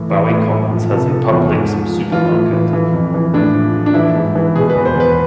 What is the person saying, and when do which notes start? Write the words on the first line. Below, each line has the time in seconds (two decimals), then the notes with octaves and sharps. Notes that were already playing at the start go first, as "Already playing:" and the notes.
Bowie Commons has a Publix supermarket.
Already playing: A2 E3
0.10 E3
0.30 A2
0.50 A2
0.71 F3
0.91 C3 A4
1.11 F3
1.32 E2
1.51 G#2
1.72 F3
1.92 F3
2.12 E3 F4
2.32 A2
2.53 E3
2.73 E3
2.93 F2
3.14 E3
3.34 A2 D4
3.53 F3
3.74 F3
3.86 D4
3.94 E3 E4
4.15 G#2
4.35 E3
4.56 B2 G#4
4.70 B4
4.75 E2
4.85 C5
4.96 E2 B4